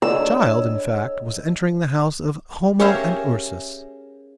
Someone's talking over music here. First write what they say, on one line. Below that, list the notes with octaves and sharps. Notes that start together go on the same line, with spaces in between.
The child, in fact, was entering the house of Homo and Ursus.
D4 A4 C#5 D#5 E6
C#4 G4 G#4 A#4 E5 F5